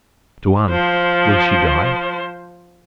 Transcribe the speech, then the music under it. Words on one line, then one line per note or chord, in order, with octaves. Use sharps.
"Tuan, will she die?"
F3 C5